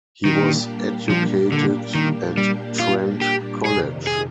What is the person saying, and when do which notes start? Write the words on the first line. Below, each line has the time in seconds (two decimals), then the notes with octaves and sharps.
He was educated at Trent College.
0.25 A#2 D#3 G3 A#3 D4 G4
1.10 F3
1.52 D3
1.95 D#3
2.37 G3
2.79 F4
3.22 G4
3.64 F2 C3 D#3 G#4
4.07 G#4